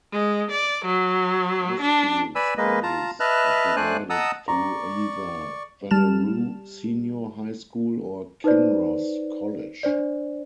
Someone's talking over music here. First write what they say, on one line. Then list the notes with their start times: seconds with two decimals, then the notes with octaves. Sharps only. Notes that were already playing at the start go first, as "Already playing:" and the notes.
High School studies are provided through either Wanneroo Senior High School or Kinross College.
0.13 G#3
0.51 D5
0.85 F#3
1.80 D4
2.35 B4 D5 G#5 B5 E6
2.57 G#3 A#3 B4 D#5
2.83 F4 A5 A#5
3.20 B4 D#5 E5 A5 F6 F#6
3.76 A3 D4 C5 D5 G#5 F#6
4.10 D#5 F#5 A5 A#5 D#6 E6
4.48 D5 A#5 C#6
5.91 G3 A5 F6 E7
8.44 D#4 B4 C5 D5
9.83 D4 C5 D5